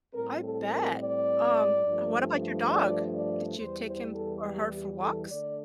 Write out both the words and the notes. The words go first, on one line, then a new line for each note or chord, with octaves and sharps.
I bet. Um, and what about your dog? Did you take him or her for walks?
A2 G3 C4 A#4
A4
A#4
D5
G2 F3 A3
D5
D5
E2 E3 G3 C5
C5
A4
G4
G4
A4
D3 A3 D4 D5